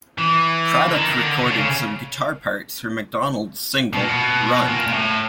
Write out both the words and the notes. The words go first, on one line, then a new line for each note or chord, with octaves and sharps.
Cradock recorded some guitar parts for Macdonald's single "Run".
E3
D3
D#3
D#3
D3
C#3
D3
C#3
B2
A#2
B2
A#2
A#2
A2